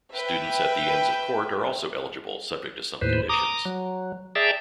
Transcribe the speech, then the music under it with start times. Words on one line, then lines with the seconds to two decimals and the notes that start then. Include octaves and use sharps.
Students at the Inns of Court are also eligible subject to some conditions.
0.15 B4 E5 G5
3.01 D#2 A2 B4 C5
3.29 A#5 D6 D#6
3.65 F#3
4.35 G#4 D5 E5 G5 A5 A#5